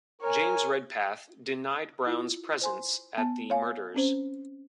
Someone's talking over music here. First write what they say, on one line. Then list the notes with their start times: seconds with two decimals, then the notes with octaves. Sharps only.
James Redpath, denied Brown's presence at the murders.
0.22 A#4 C#5 G#5
2.07 E4 F4
2.62 C5 G#5 C6
3.18 B3 A5
3.50 C#5 F5 G#5
3.94 C4 C#4 C5